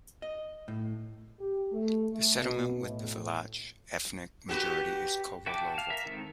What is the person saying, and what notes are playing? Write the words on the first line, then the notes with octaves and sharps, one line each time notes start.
The settlement with a Vlach ethnic majority is Kovilovo.
D#5
A2
G4
A3
A3
B2
A2
F#4 G4 B4
F#4 E5 G5 A5 D6
F5 A5
A#4 E5
D#3 G#3 C4 A4